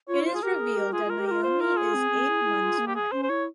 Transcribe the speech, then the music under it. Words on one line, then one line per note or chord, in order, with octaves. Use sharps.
It is revealed that Naomi is eight months pregnant.
F4 C#5
E4
F4 C5
G#4
G4 A#4
G#4
G4
F4 G#4
F4 A#4
G4
F4 A#4
C5
A#4
G#4
C4
C4
E4
E4
F4
A#3
G4
G#4
C#4 C5
C5
E4 C#5